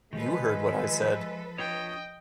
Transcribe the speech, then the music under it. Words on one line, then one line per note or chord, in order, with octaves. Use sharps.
You heard what I said.
D#3 F3 G3 G#3 F4 A4 B4
E5
D4 F4 C#5 D#5 G5